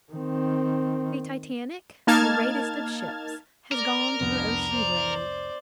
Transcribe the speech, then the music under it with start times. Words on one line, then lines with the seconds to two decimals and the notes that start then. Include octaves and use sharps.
The Titanic, greatest of ships, has gone to her ocean grave.
0.13 D#3 C4
2.07 A#3 D#4 A5 F6 G#6 A6
3.72 A#4 D5
4.21 C2 F2 B3 D4
4.71 C5 D5